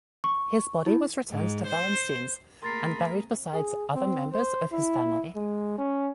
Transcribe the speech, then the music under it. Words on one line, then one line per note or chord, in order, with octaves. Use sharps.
His body was returned to Valenciennes and buried beside other members of his family.
C#6
E4
G#2
C5
A3 A#3 G#4 A#4 B5 C6 A6 C7
G#4
C4
C5
E4
G#3
C#4